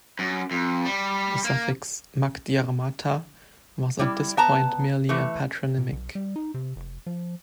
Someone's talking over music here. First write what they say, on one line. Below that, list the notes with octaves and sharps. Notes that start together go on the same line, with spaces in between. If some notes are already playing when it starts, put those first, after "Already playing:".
The suffix "mac Diarmata" was at this point merely a Patronymic.
F#2
F2
G3
A#3
G3 E4
B3 A5 A#5
E3 A3
A#2
B1
G3
D#4
C3
F1
F3